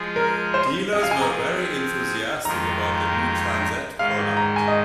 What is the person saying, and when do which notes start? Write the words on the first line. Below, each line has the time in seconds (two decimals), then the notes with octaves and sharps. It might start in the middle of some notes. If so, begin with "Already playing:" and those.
Dealers were very enthusiastic about the new Transette product.
Already playing: F3 G#3 F4 G#4
0.16 A#4
0.54 C5
0.92 F3 C4 G#4 D#5
1.03 F5
1.11 G#5
1.21 A#5
2.45 F2 D#3 G#3 F4 A#4 A#5
3.98 G#2 D#3 G#3 F5
4.37 A#5
4.56 G#5
4.68 D#5